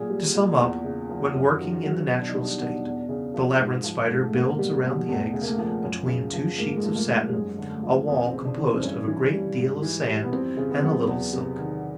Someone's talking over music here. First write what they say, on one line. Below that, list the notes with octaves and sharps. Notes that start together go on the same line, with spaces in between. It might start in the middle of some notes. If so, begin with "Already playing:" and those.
To sum up, when working in the natural state, the Labyrinth Spider builds around the eggs, between two sheets of satin, a wall composed of a great deal of sand and a little silk.
Already playing: A#2 F#3 G#4
G3
A#2
E2
C#3
F3
F#2 G4
F4
F#4
D#3
F#4
F#3
F#4
B2
D4
D#4
G3
D4
D#4
B2
D4
E2
C#3
F3
G#2
F3
G#2
A3
B2 A#3
G3
B2
E2 A3
C#3
A#3
A3
F3
F#2
C#3
F3
G#2 A#3
A3
G#3
F3 A3
A#3
G#2
G3
F#2 G#3
D3
A3
F3
F2 B3
C4
C#3
D4
E3
C4
G2 C#4
E3
G3
G#2
E3
G3
B3
F2 C4
C#3
B3
C4
F#3 B3
E2
C3
D#3